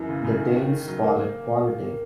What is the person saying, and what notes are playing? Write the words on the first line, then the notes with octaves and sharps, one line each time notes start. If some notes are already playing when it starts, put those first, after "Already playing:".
"The Danes call it quality".
Already playing: F#2 E3
C#3
C#3
D#3
D#3
D#3
F#3
A#3